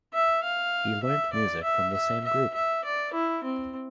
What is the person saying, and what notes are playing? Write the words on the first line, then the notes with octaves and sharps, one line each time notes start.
He learnt music from the same group.
E5
F5
E5
D5
E5
E5
E5
E5
D5
E4
C4